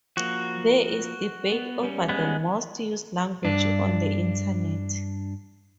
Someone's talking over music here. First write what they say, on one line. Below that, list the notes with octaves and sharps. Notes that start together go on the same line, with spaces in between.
There is debate over the most-used languages on the Internet.
F3 A#3 F#4
B3
G3 C#4
G#3 B3
G2 D4